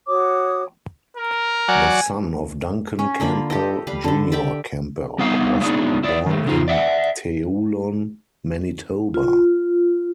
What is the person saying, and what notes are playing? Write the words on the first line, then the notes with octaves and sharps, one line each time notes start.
The son of Duncan Campbell Junior Campbell was born in Teulon, Manitoba.
F#4 C#5 D6 D#6
A#4
F#3 D5 F#5 G#5
C#4
D3 A#3 F4 B5
G4 A4 D#5
G3 B4 F5
D3 A4
G4 D5 E5 G5
G3 B3 D#4 F5
G#3 A3 B3 D4 D#4 G#4
E4 D5
D#3 A3
C#3 D#4 F4
D5 E5 F#5
F4